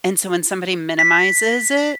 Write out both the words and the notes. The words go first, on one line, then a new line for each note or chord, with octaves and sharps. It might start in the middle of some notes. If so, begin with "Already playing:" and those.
And so, when somebody minimizes it
B6